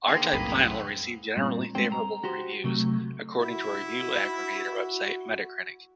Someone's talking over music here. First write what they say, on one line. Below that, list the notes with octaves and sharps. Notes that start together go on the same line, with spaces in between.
"R-Type Final" received "generally favorable" reviews, according to a review aggregator website Metacritic.
D3 A#3 D#4 G#4 C5 G5
C2 F#2 A2 G#4 B4
C4 F#5
G2 A#2 C4
G2 G#3 C4 G#4 C5 G5
A#5
F#4 G4 C5
C3 F#3 A3
E4 F#4